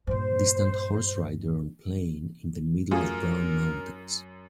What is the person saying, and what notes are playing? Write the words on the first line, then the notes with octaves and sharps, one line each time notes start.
Distant horse rider on plain in the middle of brown mountains.
G2 A#2 C5
F#2 A3 F4 G#4 A#4